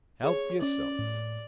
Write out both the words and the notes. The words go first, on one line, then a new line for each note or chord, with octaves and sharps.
"Help yourself."
G#4 C#5
C#4 D5
A2